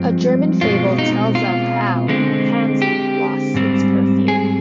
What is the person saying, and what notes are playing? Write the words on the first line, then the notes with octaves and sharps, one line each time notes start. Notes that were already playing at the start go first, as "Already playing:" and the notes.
A German fable tells of how the pansy lost its perfume.
Already playing: G2 F3 G#3 C4
B2 G#3 C4 F4
D#4
F4
D3 G#3 C4
G4
G#2 G3 C4
G#4